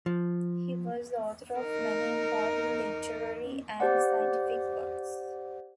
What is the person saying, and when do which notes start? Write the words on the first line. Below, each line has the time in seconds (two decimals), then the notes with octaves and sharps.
He was the author of many important literary and scientific works.
0.06 F3
1.59 D#4 A#4
3.80 G4 C5 D5 F#5